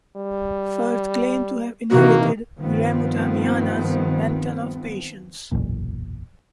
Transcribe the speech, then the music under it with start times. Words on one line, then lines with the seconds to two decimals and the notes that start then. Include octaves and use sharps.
Firth claimed to have inherited Wiremu Tamihana's "mantle of patience".
0.16 G3
1.91 C3 D#3 E3 A#3 F#4
2.59 G2 D#3 F3 B3 C4
5.52 F#1 B1 E2 A#2